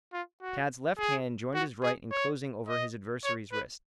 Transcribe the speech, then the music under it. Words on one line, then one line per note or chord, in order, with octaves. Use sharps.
Tad's left hand joined his right in closing over his adversary's wrist.
F4
F#4
G#4
F#4
G#4
C#5
D#5
C#5
B4